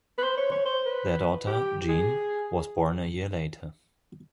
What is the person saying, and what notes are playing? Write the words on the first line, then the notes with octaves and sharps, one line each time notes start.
Their daughter, Jean, was born a year later.
B4
C5
C#5
C#5
C5
B4
G4
G#4